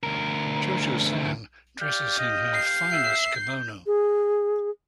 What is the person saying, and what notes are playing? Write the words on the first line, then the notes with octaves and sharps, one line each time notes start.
Cho-Cho-San dresses in her finest kimono.
D2 A#4
G4 D5 F5 G5
D#5
C7
E5
G6
G#4